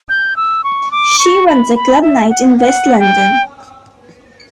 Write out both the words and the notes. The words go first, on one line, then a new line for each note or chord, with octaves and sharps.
She runs a club night in West London.
G6
E6
C#6
D6
C#6
B5
B5
E5
F#5
F#5
G5